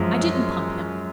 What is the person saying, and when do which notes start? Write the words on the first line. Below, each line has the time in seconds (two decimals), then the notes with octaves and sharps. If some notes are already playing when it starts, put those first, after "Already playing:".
I didn't pump him.
Already playing: F#2 F3 G#3